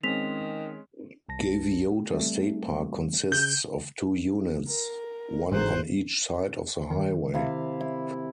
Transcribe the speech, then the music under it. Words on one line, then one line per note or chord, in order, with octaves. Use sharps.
Gaviota State Park consists of two units, one on each side of the highway.
D#3 G#3 C4 C#4 B6 F7
C2 A5 A#6
G3 A3 C4
C#3 G6
A#4
G1 D2 G#2 E3 G#4 A#4 C5 F#6
D#3
C3 E4 F5
E4